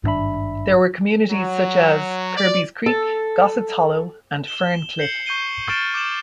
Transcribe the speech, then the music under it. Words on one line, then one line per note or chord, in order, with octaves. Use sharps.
There were communities such as Kirby's Creek, Gossets Hollow, and Fern Cliff.
G#1 G2 D4 E5 B5
F#3
D5
A4
E7 G7
G6 C7 C#7 F#7
C#6 G6 C7 D#7 G7
C#6 F6 A6 D7 E7 G7
D6 G6 D7 E7 F#7